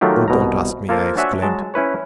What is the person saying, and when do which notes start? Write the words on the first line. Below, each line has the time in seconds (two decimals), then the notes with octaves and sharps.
"Oh, don't ask me!" I exclaimed.
0.01 D#3 F#3 A3 F4 G4
0.28 C2 B2 A#5
0.89 A#3 F4 A4 A#4 C5
1.17 D4 F#4 C#5 E5 F#5 G#5
1.42 F#3 G#3 A5
1.74 C#4 E4 B4 C#5